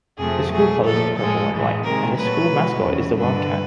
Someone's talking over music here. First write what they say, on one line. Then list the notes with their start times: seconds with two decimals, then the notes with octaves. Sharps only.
The school colors are purple and white and the school mascot is the Wildcat.
0.19 F2 C3 F3 A3 G#4
0.53 B2 F#3 A3 G#4
0.86 A#2 F3 A3 A4
1.19 A2 F3 G#3 A4
1.52 A2 E3 G#3
1.85 C3 D#3 G#3 A#4
2.18 A#2 F#3 A3 B4
2.51 B2 G#3
2.84 E2 C#3 E3
3.17 G2 D3 G3 B4